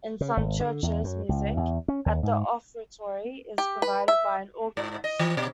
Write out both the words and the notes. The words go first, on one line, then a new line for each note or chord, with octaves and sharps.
In some churches music at the offertory is provided by an organist.
C#3
G#1
D3
E2
F#2
C#2
E2
C#4
D#2
G#2
G4
B4
E5
G#2
D#5
E3
B2